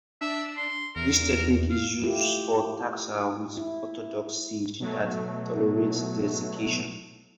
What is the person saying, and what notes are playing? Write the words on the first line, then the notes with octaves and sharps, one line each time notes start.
This technique is used for taxa with orthodox seeds that tolerate desiccation.
D4 E5
C6
E2 A#4
F5
A3 E4 F4 G4
E4
B2 F#3 A3